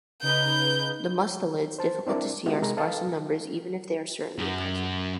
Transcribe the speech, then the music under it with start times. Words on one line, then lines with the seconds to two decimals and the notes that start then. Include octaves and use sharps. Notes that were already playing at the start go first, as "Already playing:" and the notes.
The mustelids, difficult to see are sparse in numbers even if they are certainly present.
0.23 C#3 D#4 B4 G6
1.79 C5 A5
2.07 C4 D4 E4 A#4 D5
2.46 G#3 B3 D#4 E4 F#4 G4
2.62 C3 G#3 A#4 A#5
2.77 A4 B4 D#5 F5 A5
4.39 F#2 F#3